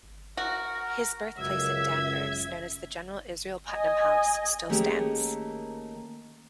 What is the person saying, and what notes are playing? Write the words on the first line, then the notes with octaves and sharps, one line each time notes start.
His birthplace in Danvers, known as the General Israel Putnam House, still stands.
F#4 A#4
C#2 F#2 E5 E6 G#6
D#5 G#5
D#3 A3 A#3 C#4 G4 G#4